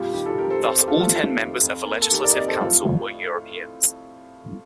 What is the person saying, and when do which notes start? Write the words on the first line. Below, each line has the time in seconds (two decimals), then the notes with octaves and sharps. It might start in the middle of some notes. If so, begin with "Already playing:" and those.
Thus all ten members of the Legislative Council were Europeans.
Already playing: F2 A#2 G3 F4 G4
0.14 D#3 G4
0.26 F4 A4
0.38 F2 G4 A#4
0.50 A4 C5
0.63 F2 A4 C5
0.76 G4
0.87 A3 F4 A4
1.00 F4 A4
1.12 D#3
1.37 F2
1.62 F2
1.87 A#3
2.02 A4
2.11 D#3 G4 A#4
2.24 A#4 D5
2.32 D#5
2.36 F2 A#4 D5
2.48 A4 C5
2.61 A2 F4 A4